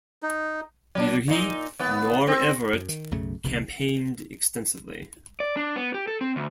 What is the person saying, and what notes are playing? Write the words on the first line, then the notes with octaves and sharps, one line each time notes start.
Neither he nor Everett campaigned extensively.
D#4
F#3 D4
A#2 D#4
D#2 B3
C4
F#2
D#3
B1 F#2 C#3 A3
F1 C2 C3 D#3
D5
D4
B3
G4
A4
C4
D2